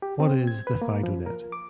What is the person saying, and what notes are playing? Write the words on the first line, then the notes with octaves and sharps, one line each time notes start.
What is the "FidoNet"?
G4
C4
G#6
B4
A#3
F3
A#4
D6